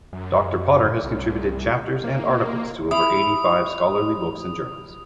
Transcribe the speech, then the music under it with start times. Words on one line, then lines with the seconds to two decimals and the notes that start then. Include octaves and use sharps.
Doctor Potter has contributed chapters and articles to over eighty-five scholarly books and journals.
0.13 F#2
1.04 C2
2.04 A#3
2.91 E4 D#6